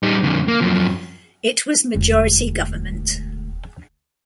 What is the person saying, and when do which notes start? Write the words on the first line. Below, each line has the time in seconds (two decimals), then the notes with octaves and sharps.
It was Majority government.
0.03 G3 D#4
0.23 F2 D3
0.48 A#3
0.61 F#2 F3
1.95 E1 D2